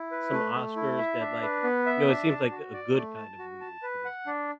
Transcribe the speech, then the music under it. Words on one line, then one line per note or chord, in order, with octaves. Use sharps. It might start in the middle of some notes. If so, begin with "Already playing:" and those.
some Oscars that like, you know, it seems like a good kind of weird for this movie.
Already playing: E4
B4
A3
A3
E4
E5
D4
B4
B3
E5
D4
A5
F#4
D5
A3
A5
F#4
A5
B4
F#5
D4